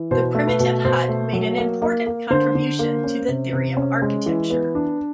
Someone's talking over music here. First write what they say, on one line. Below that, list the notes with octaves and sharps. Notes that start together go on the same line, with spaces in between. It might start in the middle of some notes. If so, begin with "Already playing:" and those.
The Primitive Hut made an important contribution to the theory of architecture.
Already playing: E3
B2 C5
A3
B4
B2
B2 C5
A3
F#3
A#3
A#3
A#3
D3 C5
D3
A#3
C#4
C3
C3
C#4
G#3
E3
B3
D4